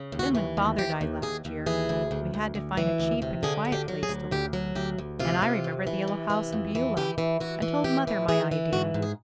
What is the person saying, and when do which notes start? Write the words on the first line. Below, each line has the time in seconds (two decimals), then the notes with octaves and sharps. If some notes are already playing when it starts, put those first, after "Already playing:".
Then when father died last year we had to find a cheap and quiet place to live, and I remembered the Yellow House in Beulah and told mother my idea.
Already playing: C#3
0.12 D#2
0.19 F#4
0.35 E3
0.57 D#2
0.78 D#2 G4
1.01 D#2
1.22 D#2 G#4
1.45 D#2
1.66 E3 G#4
1.89 D2
2.11 D2
2.34 D2
2.55 D2
2.77 E3
2.99 D2
3.22 C3
3.43 D3 G#4
3.65 D2
3.72 G4
3.88 F#3
4.03 G#4
4.09 D2
4.31 D2 G4
4.53 F#3
4.75 D2 G4
4.98 D2
5.20 C3 F4
5.42 C3
5.64 F2
5.87 E3
6.08 C3
6.30 E3
6.52 F2
6.75 E3
6.97 E3 G4
7.18 E3
7.40 E3 F#4
7.62 E3
7.84 A2 G4
8.07 E3
8.28 E3 G#4
8.51 E3
8.73 G#2 F#4
8.94 G#2
9.02 G#4